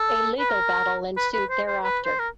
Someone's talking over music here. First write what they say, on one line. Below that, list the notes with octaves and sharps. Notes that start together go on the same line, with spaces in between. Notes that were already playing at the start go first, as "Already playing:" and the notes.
A legal battle ensued thereafter.
Already playing: A4
B4
A#4
B4
B4
C5
C5
B4
C5
A#4